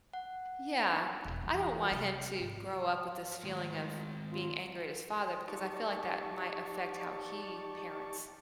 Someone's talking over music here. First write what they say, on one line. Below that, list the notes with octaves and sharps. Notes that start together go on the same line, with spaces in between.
Yeah. I don't want him to grow up with this feeling of being angry at his father because I feel like that might affect how he parents.
F#5
E1
E3 E4
C3
G#1
D#3 G#3 A3
F4
D#4 G4 D5 A5 C#6